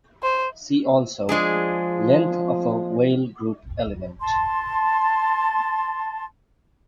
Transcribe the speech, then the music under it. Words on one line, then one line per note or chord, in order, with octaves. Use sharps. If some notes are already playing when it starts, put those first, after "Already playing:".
See also: length of a Weyl group element.
C5
F3 G#3 D4 G#4
A5 C6